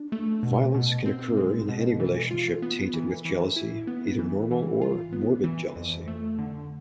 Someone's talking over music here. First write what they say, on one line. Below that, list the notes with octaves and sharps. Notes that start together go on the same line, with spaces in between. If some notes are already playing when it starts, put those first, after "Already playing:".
Violence can occur in any relationship tainted with jealousy, either normal or morbid jealousy.
Already playing: D4
A3
B2
B2
C4
G#3
B2
E3
F4
B3
E3
E3
E4
B3
E3
E3
F4
B3
E3
F2
A3
D3